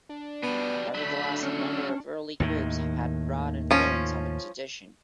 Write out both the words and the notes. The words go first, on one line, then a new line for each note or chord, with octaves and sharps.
Nevertheless, a number of early groups have had broad influence on the tradition.
D4
B2 G3 B3
D3 F#3 A3 B5
C#4
D#2 A2 D#3
F3 C#4